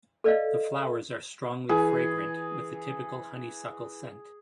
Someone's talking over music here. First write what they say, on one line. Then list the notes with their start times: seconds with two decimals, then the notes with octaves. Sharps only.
The flowers are strongly fragrant with the typical honeysuckle scent.
0.24 A4 B4 D5 D#5 F5
1.69 E3 G#4